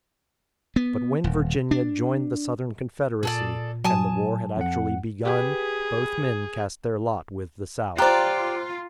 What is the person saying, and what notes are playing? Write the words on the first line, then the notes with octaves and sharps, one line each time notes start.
But when Virginia joined the Southern Confederacy, and the war had actually begun, both men cast their lot with the South.
B3
D#1
D4
A#2 G#4 A4 D5
F#3 G#5 A5 D#6
F2 F#5
G4 G#4 B4
F4 G4 C5 D5 G5 A#5 F#6